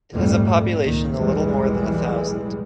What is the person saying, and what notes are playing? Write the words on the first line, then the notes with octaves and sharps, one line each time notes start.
It has a population a little more than a thousand.
A#1 F2 G#2 G3 A3
C#2 A#2 D#3
B1 E2 A2 E3 G3 G#3